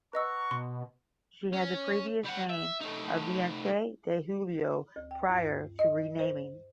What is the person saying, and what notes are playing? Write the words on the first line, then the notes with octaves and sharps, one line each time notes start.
She had the previous name of Veinte de Julio prior to renaming.
B4 D#5 F#5 A#5 C#6 E6
B2 C6
C#4
G3 F#5
E5
A3 D#4
D2
G5
G2
D#5
C5